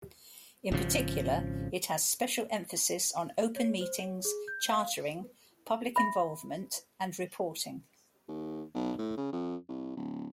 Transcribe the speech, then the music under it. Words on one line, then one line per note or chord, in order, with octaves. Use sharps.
In particular, it has special emphasis on open meetings, chartering, public involvement, and reporting.
G#1 C#3 F3
C#5
C5
C#5
G#4
G6
F5
E5 B5
D#2
B1
A2
C#3
F2
C2
D1